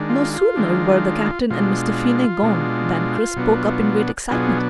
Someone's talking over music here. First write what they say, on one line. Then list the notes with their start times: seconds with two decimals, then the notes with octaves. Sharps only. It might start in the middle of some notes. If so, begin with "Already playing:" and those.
No sooner were the Captain and Mr. Finney gone than Chris spoke up in great excitement.
Already playing: D#3 G#3 D4
0.09 F4
0.34 F4
0.56 D#3 G#3 D4
1.50 B2 G#3 D4 F4
2.43 B2 G#3 D4
3.36 B2 F#3 B3 D4
4.30 B2 F#3 B3 D4 F4 G#4